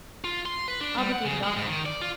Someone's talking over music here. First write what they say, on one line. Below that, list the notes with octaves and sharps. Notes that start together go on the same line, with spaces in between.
Obligated awful.
F4
C6
B4
D4
G3
F#5
C#3
G#3
G#2
D#3
D5
F4